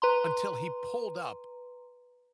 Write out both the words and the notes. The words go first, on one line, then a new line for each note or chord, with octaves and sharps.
until he pulled up?
B4 A#5 C6